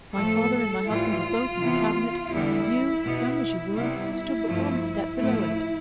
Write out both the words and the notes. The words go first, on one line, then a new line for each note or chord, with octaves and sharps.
My father and my husband were both in the Cabinet, and you, young as you were, stood but one step below it.
A2 F3 A3 A4
A2 E3 G3 F4
C3 E3 B3
E2 D3 G3 B3 E4
B2 B3
C3 G3 B3 E4
G2 F3 A3
A2 F3 A3 E4